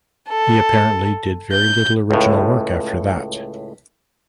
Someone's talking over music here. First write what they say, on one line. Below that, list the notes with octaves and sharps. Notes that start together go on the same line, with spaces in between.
He apparently did very little original work after that.
A4
G6
C#2 A2